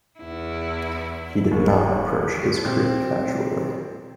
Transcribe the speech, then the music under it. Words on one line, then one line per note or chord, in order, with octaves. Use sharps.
He did not approach his career casually.
E2 E4
D1 D#2
A#2 C4